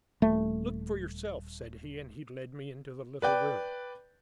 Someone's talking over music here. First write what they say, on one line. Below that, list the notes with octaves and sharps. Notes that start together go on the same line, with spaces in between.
"Look for yourself," said he, and he led me into the little room.
D#1 A3
B4 D5 G5